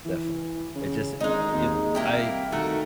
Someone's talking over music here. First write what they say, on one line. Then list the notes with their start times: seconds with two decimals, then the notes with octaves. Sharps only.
Definitely. It just, it if I
0.05 E3
0.76 C#3
1.20 G#1 G#3 D#4
1.55 D#2
1.95 C2 A#3 E4 G4
2.52 D#3 A3 F#4 A#4